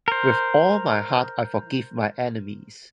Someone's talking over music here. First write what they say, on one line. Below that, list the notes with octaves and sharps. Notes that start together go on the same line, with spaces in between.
With all my heart I forgive my enemies!
A#4 C5